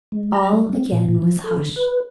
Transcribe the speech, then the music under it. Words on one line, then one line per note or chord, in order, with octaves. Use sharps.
All again was hushed.
G#3
A#5
G3
C4
A#2
A#2
F3
A4
D3
B4